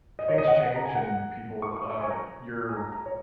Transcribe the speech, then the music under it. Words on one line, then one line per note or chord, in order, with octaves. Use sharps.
things change and people uh, your
D#5
C#5
D#5
F#5
A#5
G#5
F#5
C#6
C#6
C#6
G#5
A#5
G#5
A#5
A#5
C#5